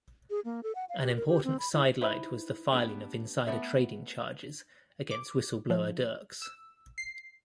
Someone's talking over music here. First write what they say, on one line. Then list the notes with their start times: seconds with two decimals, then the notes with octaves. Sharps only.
An important sidelight was the filing of insider trading charges against whistleblower Dirks.
0.30 G#4
0.45 A#3
0.63 A4
0.75 F#5
0.89 F5
1.02 G4
1.16 A#4
1.28 G4
1.44 C4
1.59 B5
1.73 E4
2.01 D#4 E4 B4 C5 E5
2.72 A3 B3 D4 G4
3.47 A3 B3 D5 E5
5.11 D6
5.70 F3
6.42 E6
6.98 C7